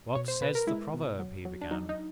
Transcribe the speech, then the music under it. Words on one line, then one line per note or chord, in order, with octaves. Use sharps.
"What says the proverb?" he began.
B2 C#5
C5
B2 B4
A#4
G#3 E4
B2
F#3
F#3
D4
F#3 D#4
D#4